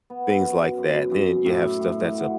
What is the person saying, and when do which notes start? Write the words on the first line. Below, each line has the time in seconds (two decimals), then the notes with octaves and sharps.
things like that. Then you have stuff that’s, uh
0.10 B3
0.44 F#2
0.77 F#2
1.11 F#2
1.45 A2
1.80 A2
2.13 F#3